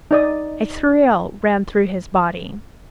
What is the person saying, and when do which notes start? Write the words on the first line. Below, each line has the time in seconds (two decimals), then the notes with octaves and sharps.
A thrill ran through his body.
0.11 D#4 D5 D#6